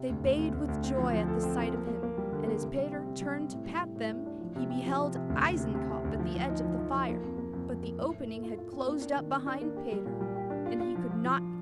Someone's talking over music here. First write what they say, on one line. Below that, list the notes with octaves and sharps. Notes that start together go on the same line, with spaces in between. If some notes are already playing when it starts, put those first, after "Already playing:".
They bayed with joy at the sight of him, and as Peter turned to pat them, he beheld Eisenkopf at the edge of the fire, but the opening had closed up behind Peter, and he could not get through.
Already playing: C3
D2
D2
D2
D2
D2
C4
F3
F3
A4
C4
F3
A#3
A#3
A#3
G3
D3
A#3
C3
G3
C4
C3
G3
C4
A2
G3
A2
A2
A2
D4
F3
C3
G4
F3
C3
C3
D2
C3
C3
C3
C3
D2
F3
F3
D#4
F3
F3
F3
A#3
F2
A#3
F2
F2
A#3
A2
A2
A3
F4
F4
C4
A#3
D4
D#3
D#3
D4
A#3
G4
G3
A#2
G3
G4
D4
F4
F4
F3
F3
F3